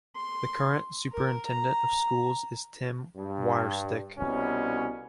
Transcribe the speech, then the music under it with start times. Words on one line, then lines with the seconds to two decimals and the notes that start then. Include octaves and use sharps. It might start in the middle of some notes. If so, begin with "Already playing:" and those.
The current Superintendent of Schools is Tim Wyrosdick.
0.16 C6
1.13 A#4
1.47 A#5
3.16 G2
4.18 C2 B2 C#4